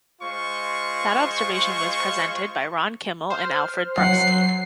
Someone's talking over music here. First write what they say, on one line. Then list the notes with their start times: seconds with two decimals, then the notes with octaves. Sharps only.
That observation was presented by Ron Kimmel and Alfred Bruckstein.
0.21 G#3 F4 C5 C#6
3.30 C5 F6
3.98 F#3 F#5 C7